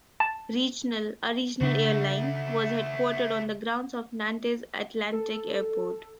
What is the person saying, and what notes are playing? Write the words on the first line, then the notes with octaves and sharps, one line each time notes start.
Regional, a regional airline, was headquartered on the grounds of Nantes Atlantique Airport.
A5
C#3 A3 D4 F#4
A4